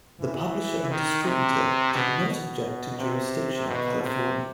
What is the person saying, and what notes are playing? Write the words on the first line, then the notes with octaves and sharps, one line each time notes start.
The publisher and the distributor did not object to jurisdiction in California.
E3
D#3
C3
B2
B2
C3
B2
C3